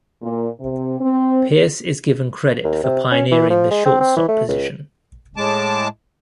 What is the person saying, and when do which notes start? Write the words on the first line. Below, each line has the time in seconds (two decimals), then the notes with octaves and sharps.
Pearce is given credit for pioneering the shortstop position.
0.22 A#2
0.60 C3
1.00 C4
2.64 D#2
2.84 C3
3.12 C#4
3.31 E3
3.50 F3
3.71 G#3
3.85 C4
4.00 C4
4.17 E3
4.28 A3
4.48 C#2
5.37 A2 G#3 A5 D6